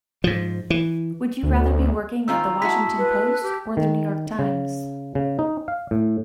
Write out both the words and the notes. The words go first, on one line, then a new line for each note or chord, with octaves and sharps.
Would you rather be working at "The Washington Post" or "The New York Times"?
G#2 F3
E3
D2
D#3 C4 F4 A#5 E6
G#3 E4 F#4 A5 B6
B4
G4
D#3
C#3
C#3
D#4
F5
A2